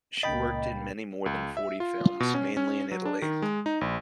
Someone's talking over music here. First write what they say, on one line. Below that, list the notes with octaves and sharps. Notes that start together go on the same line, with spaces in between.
She worked in more than forty films, mainly in Italy.
C#2 A#2 A#3 D#5 G5 B5 A6
C#2
E5
F4
B2
C#4
C#4
F#3
D4
D#3
G#3
D#4
A#1